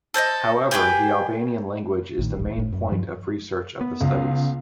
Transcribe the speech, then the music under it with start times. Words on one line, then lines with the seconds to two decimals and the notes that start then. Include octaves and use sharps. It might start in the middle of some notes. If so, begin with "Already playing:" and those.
However the Albanian language is the main point of research of the studies.
0.14 A4 C5 D5 D#5
0.71 G4 G#4 B4 G5
2.19 A#1 A2 D#3
2.36 D1 A1
2.57 G1 A2
2.72 F#2
2.91 G2 F3 F#3
3.81 B3
4.01 C#2